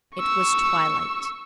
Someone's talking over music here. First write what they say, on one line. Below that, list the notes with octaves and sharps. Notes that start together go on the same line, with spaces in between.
It was twilight.
C#6 E6